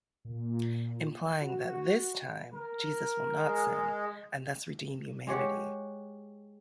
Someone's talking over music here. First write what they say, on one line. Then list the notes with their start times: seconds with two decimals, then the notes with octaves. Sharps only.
Implying that this time Jesus will not sin, and thus redeem humanity.
0.25 A#2
1.41 F#4
2.53 A#4
3.37 G#3
5.27 G#3 G4 C#5 F#5